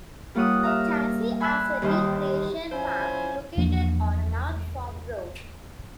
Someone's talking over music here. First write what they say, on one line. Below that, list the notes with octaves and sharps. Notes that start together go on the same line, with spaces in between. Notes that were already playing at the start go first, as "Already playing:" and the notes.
Chazy has a recreation park located on North Farm Road.
G3 A#3 F4 C#5 F#5 D#6
E5 F5 A#5
E5 G#5 B5 C6 E6 F#6
D#2 D#3 E3 G3 C5 D#5
F3 C#4 E4 C5 G#5
E2 F3 A#3 D4